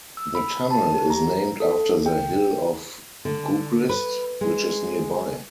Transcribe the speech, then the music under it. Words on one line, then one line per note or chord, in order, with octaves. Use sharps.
The tunnel is named after the hill of Gubrist, which is nearby.
E6
B5
A5
G4
A#5
A4
G5
D3
B4
G#3